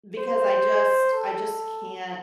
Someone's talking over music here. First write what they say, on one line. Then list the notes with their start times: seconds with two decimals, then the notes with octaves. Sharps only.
because I just I just can't
0.18 C5
1.13 A4